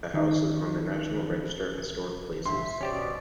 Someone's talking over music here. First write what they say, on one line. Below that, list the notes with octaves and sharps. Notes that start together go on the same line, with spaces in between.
The house is on the National Register of Historic Places.
D#3 D#4
A1 G2 E5 C6
B2 C#4 G4 C5 D5